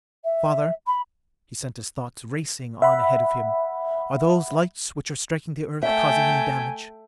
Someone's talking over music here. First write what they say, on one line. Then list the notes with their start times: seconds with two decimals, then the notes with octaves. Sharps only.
"Father," he sent his thoughts racing on ahead of him, "are those lights which are striking the Earth causing any damage?"
0.24 E5
0.86 B5
2.82 E5 F#5 B5
5.83 A3 E5 G5 G#5